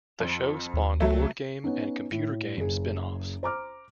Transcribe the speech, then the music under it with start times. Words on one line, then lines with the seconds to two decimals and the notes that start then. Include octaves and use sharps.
The show spawned board game and computer game spin-offs.
0.20 F2
0.74 D#2
1.01 C#2 F#3 A3
1.64 B3 C#4 D#4
2.12 A2
2.57 F#1 G#4
3.43 C5 A#5 D6 F6